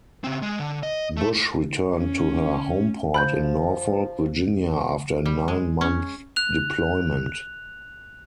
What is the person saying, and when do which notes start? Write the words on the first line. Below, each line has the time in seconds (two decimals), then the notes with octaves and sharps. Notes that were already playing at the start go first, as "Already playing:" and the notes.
Bush returned to her homeport in Norfolk, Virginia after a nine-month deployment.
0.24 C#3 C4
0.42 G#3
0.59 D3
0.83 D#5
1.17 A3
1.97 C#4
3.14 F3 B5 F#6 G6
5.26 G3
5.48 G#3
5.81 C#4
6.36 F#6 F7